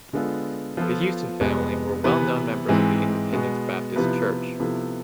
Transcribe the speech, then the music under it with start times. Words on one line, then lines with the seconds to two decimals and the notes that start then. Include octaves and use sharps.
The Houston family were well-known members of the Independence Baptist Church.
0.13 D3 G#3 B3 F4 A4
0.77 F3 B3 F4 A4
1.41 F2 C3 G#3 B3
2.04 C3 E3 B3 E4 B4
2.68 G#2 E3 G#3 C4
3.33 B2 G#3 B3
3.96 C3 F3 B3 E4 B4
4.60 C3 F3 B3 E4 A4